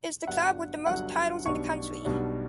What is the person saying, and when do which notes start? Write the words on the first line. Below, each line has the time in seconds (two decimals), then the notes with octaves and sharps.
It’s the club with the most titles in the country.
0.22 E5
0.27 G1 G2 F#3 F#5
0.86 G1 G2 F#3 F#5
1.46 B1 B2 G3 D4 C#6
2.05 B1 B2 G3 D4